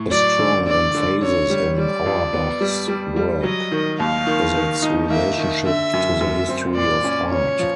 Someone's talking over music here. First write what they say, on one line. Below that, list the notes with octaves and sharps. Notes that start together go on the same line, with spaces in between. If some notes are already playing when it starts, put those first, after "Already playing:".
A strong emphasis in Auerbach's work is its relationship to the history of art.
Already playing: A2
F#3 D5
D3
D3 D5
D3
D3 C#5
G3
G3 D5
F2
B3
G3
G3
G3
F#3 D#5
D#3
D#2 F5
D#3
D#3
D#4
A#3 E5
D#3
D3 E5
F#2
F#2
C4
A#2 D5
C#4
C#4 C#5
F3